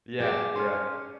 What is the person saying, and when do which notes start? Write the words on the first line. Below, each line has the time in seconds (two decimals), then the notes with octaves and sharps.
Yeah, yeah.
0.20 G4 G#4 D5 A5
0.56 C#4 C6 F6